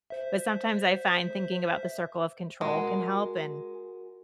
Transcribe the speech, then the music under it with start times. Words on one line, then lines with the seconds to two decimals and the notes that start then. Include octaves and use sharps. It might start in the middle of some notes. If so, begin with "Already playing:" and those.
but sometimes I find thinking about the circle of control can help, and
0.10 C5 E5
2.61 G#3 F#4 A#4